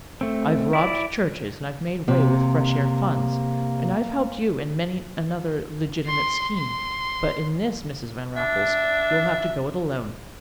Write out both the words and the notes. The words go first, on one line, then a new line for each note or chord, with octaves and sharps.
"I've robbed churches and I've made way with fresh-air funds, and I've helped you in many another legitimate scheme, but in this, Mrs. Van Raffles, you'll have to go it alone."
A3 C4
E4 D5
C3 A#3
C6
C6
D4 E5